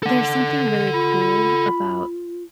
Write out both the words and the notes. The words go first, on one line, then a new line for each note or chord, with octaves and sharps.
there's something really cool about
A4 F#5
F4 B5